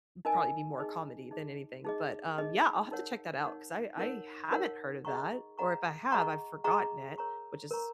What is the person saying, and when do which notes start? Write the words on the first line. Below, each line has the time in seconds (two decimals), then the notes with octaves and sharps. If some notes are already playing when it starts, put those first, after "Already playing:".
probably be more comedy than anything, but, um, yeah, I'll have to check that out 'cause I I haven't heard of that, or if I have, I've forgotten it, which is
0.25 D#4 A#4 D#5 G#5
0.78 D#4 G#4 D#5
1.31 D#4 G#4 D#5
1.84 D#4 G#4 D#5
2.38 D#4 G#4 D#5
2.91 D#4 A#4 C#5 F#5
3.44 D#4 A#4 C#5 F#5
3.98 D#4 A#4 C#5 F#5
4.51 D#4 A#4 C#5 F#5
5.05 G#4 D#5 F#5 A#5 C#6
5.58 G#4 D#5 F#5 A#5 C#6
6.11 G#4 D#5 F#5 A#5 C#6
6.64 G#4 D#5 F#5 A#5 C#6
7.18 A#4 C#5 A#5 C#6
7.71 A#4 C#5 A#5 C#6